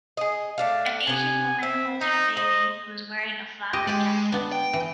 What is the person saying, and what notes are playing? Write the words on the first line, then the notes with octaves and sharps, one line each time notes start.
An asian woman holds her baby, who is wearing a flowered jacket.
G#4 D#5
A3 D4 F5
C3 B3 G#5
C4 E5
C4 D#4
C5 D#5
G4 D#5
G#3 G4 D5
B3 D4
G5
E3